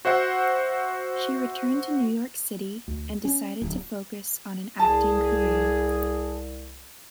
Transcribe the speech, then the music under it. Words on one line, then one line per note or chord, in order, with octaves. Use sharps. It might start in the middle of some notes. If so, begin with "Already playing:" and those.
She returned to New York City and decided to focus on an acting career.
F#4 C5 E5 F#5
D2
C#4
D1
C2 G#4 A5